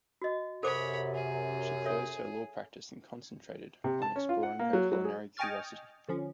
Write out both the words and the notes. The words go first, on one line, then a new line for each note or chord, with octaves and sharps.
She closed her law practice and concentrated on exploring her culinary curiosity.
F#4 D#5
F#2 C3 A4 C5 C#5 B5 D6
G#4
A4 C#5 E5
C3
A5
C#4
F4
F#5
A#3
F#3
F#3
G#4
D#5 G5 G#5 C#6 F6 A6
D3 F3 C#4